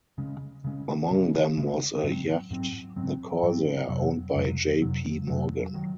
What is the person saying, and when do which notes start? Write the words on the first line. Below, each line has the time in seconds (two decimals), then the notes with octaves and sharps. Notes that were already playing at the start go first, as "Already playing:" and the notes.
Among them was a yacht, the "Corsair", owned by J. P. Morgan.
0.18 C#3 G#3 C#4
0.64 C#3 G#3 C#4
1.11 C#3 G#3 C#4
1.57 C#3 G#3 C#4
2.03 G#2 F#3 C4
2.51 G#2 F#3 C4
2.96 G#2 F#3 C4
3.43 G#2 F#3 C4
3.88 F2 C3 F#3
4.35 F2 C3 F#3
4.82 F2 C3 F#3
5.27 F2 C3 F#3
5.74 D#3 F#3